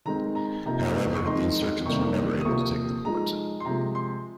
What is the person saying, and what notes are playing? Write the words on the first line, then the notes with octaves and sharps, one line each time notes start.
However, the insurgents were never able to take the port.
D#3 G#3 C4 D#4 A#5
A#5
C3 F3 A#3 D#4 A#5
C#6
D#3 G#3 C4 D#4 C6
C3 D#3 G3 A#3 C#6
D#6
C3 F3 A#3 C#6
F3 G#3 D#4 A#5
C6
C3 F3 G#3 A#5
C6